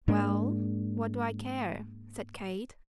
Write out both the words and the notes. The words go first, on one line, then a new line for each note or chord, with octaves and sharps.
"Well, what do I care?" said Kate.
G#2 G#3 A#3 D4